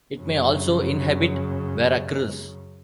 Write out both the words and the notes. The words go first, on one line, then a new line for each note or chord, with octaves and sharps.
It may also inhabit Veracruz.
F#2 C#3